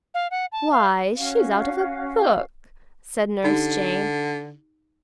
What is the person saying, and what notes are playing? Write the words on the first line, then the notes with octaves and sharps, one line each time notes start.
"Why, she's out of a book," said Nurse Jane.
F5
F#5
A5
F5
C#4 F#4 F5
D3 D#4 G4